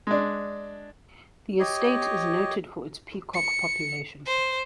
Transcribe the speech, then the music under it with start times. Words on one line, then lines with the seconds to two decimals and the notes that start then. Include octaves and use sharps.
The estate is noted for its peacock population.
0.07 G#3 D4
1.60 G4 C#5 D#5
3.34 C#7
4.26 C5